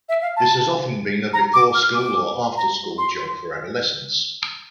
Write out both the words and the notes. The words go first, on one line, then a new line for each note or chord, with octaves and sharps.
This has often been a before-school or after-school job for adolescents.
E5
F5
A5
A#5
D6
F6
D6
A#5
C6
C6